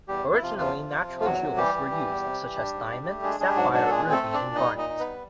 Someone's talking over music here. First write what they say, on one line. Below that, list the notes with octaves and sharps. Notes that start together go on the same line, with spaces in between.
Originally natural jewels were used, such as diamond, sapphire, ruby, and garnet.
E2 G3 G4
C3
E4
C3 F3 F4
E2 F3 F4
C3
C3
C3
F4
E2 F#3 F#4
C3
E3 G3 G4
E3
E3
E2
C3
E3
D4
G#2
D4
A3
G#3 D4 G#4
G#3 D4 G#4
G4
G#2 F#3 F#4
F#3 D4 F#4
A4
A#2 G#3 G#4
C4
A3 A4
C4
D4 D5
A#2
G3 D#4 D#5
A#2
D#4 D#5
D#4
B3 B4
G3